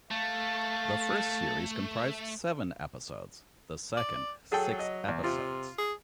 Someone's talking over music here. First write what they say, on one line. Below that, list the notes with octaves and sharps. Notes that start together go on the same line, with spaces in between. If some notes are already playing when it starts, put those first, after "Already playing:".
The first series comprised seven episodes, the second six episodes.
A3 F5 A5
D5
F#3 G#4 A4 G5
D#5
E2
C3 F4
G#4